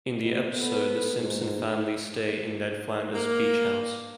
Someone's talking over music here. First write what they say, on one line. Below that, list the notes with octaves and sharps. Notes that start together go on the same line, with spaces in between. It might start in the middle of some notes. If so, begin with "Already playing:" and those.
In the episode, the Simpson family stay in Ned Flanders' beach house.
B2
B3 A4 B4
G#2
A#3